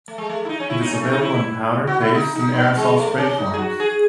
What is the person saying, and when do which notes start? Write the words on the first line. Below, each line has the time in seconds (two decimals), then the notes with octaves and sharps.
It is available in powder, paste and aerosol spray forms.
0.08 A3
0.18 G#3
0.29 A3
0.45 E4
0.49 D#4
0.60 C#4
0.70 E4
0.81 D#4
0.91 C#4
1.01 A3
1.12 D#4
1.21 E4
1.87 F#4
2.01 E4
2.15 D#4
2.36 D#4
2.55 B3
2.76 G#3
2.97 A3
3.18 C#4
3.38 D#4
3.54 G#4
3.59 F#4
3.80 G#4